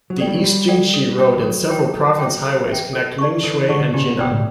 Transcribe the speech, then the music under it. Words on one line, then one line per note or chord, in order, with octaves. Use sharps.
The East Jingshi Road and several Province Highways connect Mingshui and Jinan.
F#3
A4 D5 G5
G3
F#3
G3 F#4
A4 D5 G5
A4
C#5 G5
E3
F#3 A4
C#5 G5
A4
E5 G5
A4
E5 G5
A4
D5 A5 C#6
E3 A4
D3 D5 A5 C#6
C#3 G4
B2
B2 D5 G5
A2